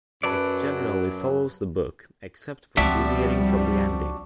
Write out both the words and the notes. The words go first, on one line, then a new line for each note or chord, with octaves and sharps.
It generally follows the book, except for deviating from the ending.
F#2 F#3 B4 D5 A5 B5
C#2 F3 G3 C4 D4 F#4 E5